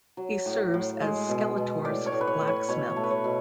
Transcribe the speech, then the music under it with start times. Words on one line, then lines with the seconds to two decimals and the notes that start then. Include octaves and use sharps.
He serves as Skeletor's blacksmith.
0.17 F#3
0.46 A2
0.74 A2
1.01 G#3
1.29 B2
1.57 B2
1.85 A2 D5
2.06 C#5
2.12 A2
2.21 B4
2.27 C#5
2.41 A2
2.47 C#5
2.69 B2 C#5
2.90 C#5
2.96 A3
3.04 B4
3.11 C#5
3.24 B2